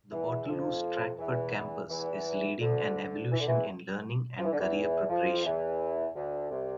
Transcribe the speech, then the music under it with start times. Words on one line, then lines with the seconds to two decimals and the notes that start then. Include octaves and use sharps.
The Waterloo Stratford Campus is leading an evolution in learning and career preparation.
0.12 E2 E3
0.48 F2 F3
1.18 E2 E3
1.89 E2 E3
2.61 D2 D3
3.32 E3
3.40 D3
3.47 E2 E3
4.38 F3
4.45 E3
4.52 D3
4.59 E2 E3
5.09 F2 F3
5.44 E2 E3
6.16 D2 D3
6.51 C2 C3